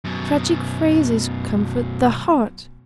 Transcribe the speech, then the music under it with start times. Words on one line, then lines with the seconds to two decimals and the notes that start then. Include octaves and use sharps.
Tragic phrases comfort the heart....
0.05 F#2 B2